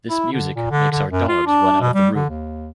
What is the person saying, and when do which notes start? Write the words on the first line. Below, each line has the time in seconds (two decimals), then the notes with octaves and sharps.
This music makes our dogs run out of the room'!
0.09 E4
0.32 D3
0.55 A#2
0.70 D3
0.92 D3
1.11 F#2
1.28 F4
1.46 D4
1.81 B2
1.94 G3
2.15 D3
2.30 D#2